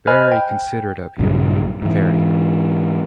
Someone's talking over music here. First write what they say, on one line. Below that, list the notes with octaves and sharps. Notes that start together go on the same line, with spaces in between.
Very considerate of you — very!
C5 D#5 G#5 B5 F6 F#6
G5
A#1 G2 C#3 F#3
G#2 E3